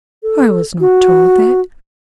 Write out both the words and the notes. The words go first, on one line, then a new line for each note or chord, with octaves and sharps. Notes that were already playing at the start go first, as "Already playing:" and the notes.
"I was not told that."
A4
F#4